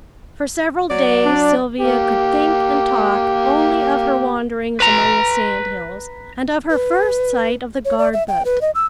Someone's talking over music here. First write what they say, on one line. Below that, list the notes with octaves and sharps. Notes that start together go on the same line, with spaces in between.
For several days Sylvia could think and talk only of her wanderings among the sand-hills, and of her first sight of the guard-boat.
F#3 D5
D4
A#3 G4
B4 A#5
B4
C#5
D5
E5
G5
B4
D#5
E6